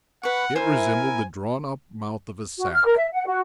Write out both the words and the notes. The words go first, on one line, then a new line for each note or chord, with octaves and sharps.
It resembled the drawn-up mouth of a sack.
B4 F#5 C#6
E4 A#4 C5 G#5
F#4
F6
A#4
E5
F#5
F#4